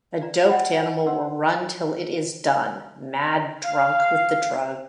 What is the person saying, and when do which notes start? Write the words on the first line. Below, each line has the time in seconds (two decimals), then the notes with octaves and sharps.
A doped animal will run till it is done, mad drunk with the drug.
0.21 D5 A#5
0.49 C5 D5 D#5 F#5 G5 B5
1.06 C#4 D#4 B4 F#5 C6 E6
3.65 F5